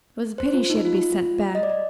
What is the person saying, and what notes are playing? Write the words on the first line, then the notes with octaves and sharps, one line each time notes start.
It was a pity she had to be sent back.
C5
F4
D#4
F4
D#5
D5